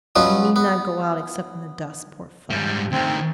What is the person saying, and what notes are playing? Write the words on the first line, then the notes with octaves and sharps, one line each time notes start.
'And he need not go out, except in the dusk, poor fellow!'
B2 F#3 B3 C#4 F4
B3
G#2 G3
D2 D#3 C4